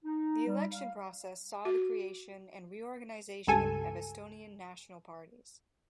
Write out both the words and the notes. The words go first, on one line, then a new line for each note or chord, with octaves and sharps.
The election process saw the creation and reorganization of Estonian national parties.
D#4
G3
F5
F#4
C#2 G2 A4 G#5